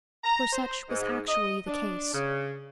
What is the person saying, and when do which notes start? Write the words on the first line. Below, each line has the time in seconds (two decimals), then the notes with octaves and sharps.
For such was actually the case.
0.24 A#5
0.53 C5
0.89 G#2
1.28 D#5
1.67 D4
2.13 C#3